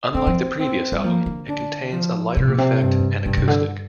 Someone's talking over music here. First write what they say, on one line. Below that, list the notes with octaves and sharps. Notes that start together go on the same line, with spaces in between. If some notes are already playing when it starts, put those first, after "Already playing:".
Unlike the previous album, it contains a lighter effect and acoustic.
D3 C4
F3
C4
G3
F3 A#3
D3
D4
F3
C3
A#2
C3
G2
G2 C3
C3
D3